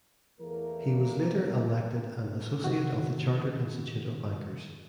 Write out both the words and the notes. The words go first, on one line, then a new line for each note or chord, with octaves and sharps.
He was later elected an Associate of the Chartered Institute of Bankers.
E2 E3 A3 A#3 A#4
C3 D#3 F#4